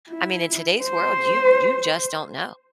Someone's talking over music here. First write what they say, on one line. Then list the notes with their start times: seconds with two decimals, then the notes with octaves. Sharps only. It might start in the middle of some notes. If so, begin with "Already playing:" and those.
I mean, in today's world, you you just don't know.
0.10 E4
0.83 C5